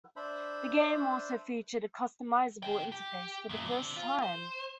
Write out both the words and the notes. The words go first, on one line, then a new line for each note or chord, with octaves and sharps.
The game also featured a customizable interface for the first time.
D4 C5 E5 B5
C3 G5
G4
F#2 A#2
D3 C4
F4
C5